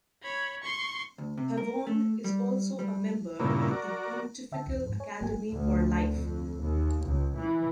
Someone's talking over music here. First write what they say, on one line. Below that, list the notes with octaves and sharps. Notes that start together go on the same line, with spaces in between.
Pavone is also a member of the Pontifical Academy for Life.
C#5 B5
C6 C#6
D2
C3
A#4
A3
G3
G3
G2 A#2 C#3 A#3 B3 E4
F#4 A#4 D5
D3 E5 G5 A5
B1 E2
F2 G#2
C#5 G#5
G#1 A#3 G4 G#5
D2
F2
D#2
C#2
E3